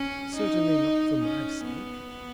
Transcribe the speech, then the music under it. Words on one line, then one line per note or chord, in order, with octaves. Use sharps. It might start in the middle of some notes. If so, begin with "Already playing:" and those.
"Certainly not for my sake."
Already playing: C#4
D#4
C#4
B3